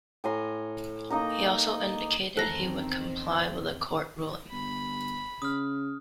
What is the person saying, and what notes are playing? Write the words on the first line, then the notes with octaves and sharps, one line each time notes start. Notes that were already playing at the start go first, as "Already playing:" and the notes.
He also indicated he would comply with a court ruling.
A2 G#5 A#5 C6
A#3 D#4 D#5 A#5
E2 D#3 C4 A4 A#4 A#5 F#6 A#6
G1 B5
C#3 D#6 F6